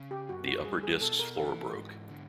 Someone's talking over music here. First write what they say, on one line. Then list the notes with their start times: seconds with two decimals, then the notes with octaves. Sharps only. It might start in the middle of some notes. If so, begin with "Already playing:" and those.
The upper disc's floor broke.
Already playing: C#3
0.11 G4
0.29 F#2 F#4
0.47 F#4
0.64 G3 G#4
0.83 G#4
1.01 B2 A4
1.19 A#4
1.37 E3 A4
1.73 G#2
2.09 D3